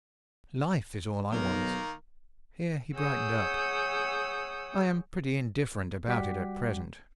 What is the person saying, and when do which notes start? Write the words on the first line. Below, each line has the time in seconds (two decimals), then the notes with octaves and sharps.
Life is all I want." Here he brightened up; "I am pretty indifferent about it at present.
1.32 B1 D#3 A#3 A#4
2.96 G#4 C#5 F#5 D#6 E6 G6
6.08 G3 F#4 F#5 G5 D6 B6